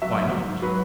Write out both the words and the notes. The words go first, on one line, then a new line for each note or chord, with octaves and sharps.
"Why not?"
F#3 E5
G#2
F#3
G#2
F#3 B4